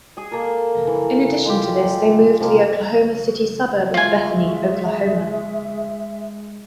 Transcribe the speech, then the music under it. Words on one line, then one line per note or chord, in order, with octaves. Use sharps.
In addition to this they moved to the Oklahoma City suburb of Bethany, Oklahoma.
G#4 G#5
A#3 A4 A#4
E3
G#3 F4 G4
C3 F3 G#3 A#3
G#3 F4 E5 G#5